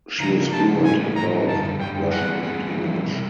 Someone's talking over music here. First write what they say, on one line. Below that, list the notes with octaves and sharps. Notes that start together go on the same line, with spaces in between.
She is fluent in both Russian and English.
C#3 F3 A#3 D#4 A#5
C#3 F3 A#3 D#4 A5
A2 E3 G3 G#5
A2 E3 G3 A#5
F#2 D3 G3 A5
F#2 D3 G3 G5
E3 G3 C4 F4 G#4 F#5
E3 G3 C4 F4 G#4
F2 C3 E3 G3
C3 G3